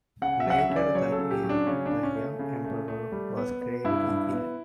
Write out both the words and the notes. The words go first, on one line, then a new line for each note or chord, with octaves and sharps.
Later that year, the young emperor was gravely ill.
C#3 F#5
E5
F#3 F#5
E5
C#3
D5
F#3 C#5
A4
C#3
G4
F#3
D4
C#3 C#4
D4
C#3
C#4
A3
C#3
A3
A3
G3
B3
B3
G2 E4
G2
B3